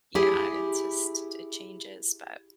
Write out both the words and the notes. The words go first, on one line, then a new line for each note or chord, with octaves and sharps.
yeah, it just it changes, but
E4 G4 G#4